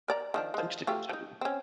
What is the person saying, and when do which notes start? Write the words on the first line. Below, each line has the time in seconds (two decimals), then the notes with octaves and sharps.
things to consider.
0.08 A#4 D5 A#5
0.34 D#3 F3 D4
0.54 F3 G#3
0.87 A3 F4 G4
1.09 F3 D#4
1.41 C4 C#4